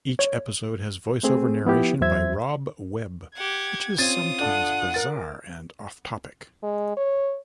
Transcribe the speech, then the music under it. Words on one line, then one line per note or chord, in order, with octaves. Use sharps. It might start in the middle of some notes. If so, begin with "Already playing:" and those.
Each episode has voice-over narration by Robb Webb, which is sometimes bizarre and off-topic.
C#5
A3 C4 G#4
F3 B3 E4 G4
E2 F#3 C5 E5 G#6
G4 F#5 G#6
C4 C#4 F4 D#6 A6
D4 A4 F#5
A#4 A6
G#3
C#5